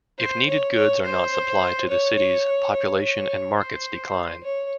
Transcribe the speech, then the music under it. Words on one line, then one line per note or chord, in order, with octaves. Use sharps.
If needed goods are not supplied to the cities, population and markets decline.
C5
C#5
C#5
C5
C#5
C#5
C#5
C#5
C5
C#5